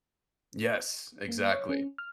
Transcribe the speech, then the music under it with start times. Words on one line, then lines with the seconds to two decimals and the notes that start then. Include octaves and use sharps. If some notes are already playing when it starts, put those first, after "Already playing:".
Yes, exactly,
1.28 A#3
1.52 C#5
1.69 C#4
1.98 F6